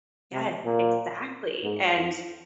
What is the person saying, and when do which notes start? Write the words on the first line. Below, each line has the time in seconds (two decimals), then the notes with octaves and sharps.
yes, exactly, and
0.32 C3
0.65 A#2
1.63 G#2
1.95 F2